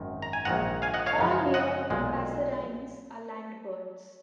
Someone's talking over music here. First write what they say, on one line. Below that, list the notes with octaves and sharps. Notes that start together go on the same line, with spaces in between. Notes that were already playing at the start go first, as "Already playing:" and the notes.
All near passerines are land birds.
Already playing: G#1 F#2 D#3
A#5
G#5
A#1 G#2 D#3 F#5 A#5
F5 G#5
D#5 F#5
C#5 F5
F#2 C#3 F3 G#3
D#5 F#5
B1 A#2 G#3